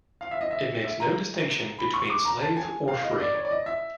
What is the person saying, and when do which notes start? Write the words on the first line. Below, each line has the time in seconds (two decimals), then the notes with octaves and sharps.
It makes no distinction between slave or free.
0.21 F5
0.31 E5
0.41 D#5
0.51 E5
0.84 E5
1.00 A#5
1.78 B5
1.94 C#6
2.10 D6
2.25 A#5
2.42 A5
2.57 G#5
2.88 F5
3.03 D#5
3.20 D5
3.35 C#5
3.45 D5
3.51 D#5
3.66 E5